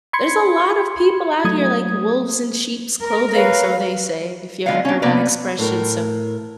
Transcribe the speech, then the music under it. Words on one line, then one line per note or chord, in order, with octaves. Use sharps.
There's a lot of people out here like wolves in sheep's clothing, so they say, if you ever heard that expression, so
B5 C6 G#6 C#7
F#3 A3 D#6 G#6
A#4
B4 C#5 F5
D3 G#3 F4 D5 F5 F#5
C#4 D4
C3 A#3 B3 B4 D5
A2 A#4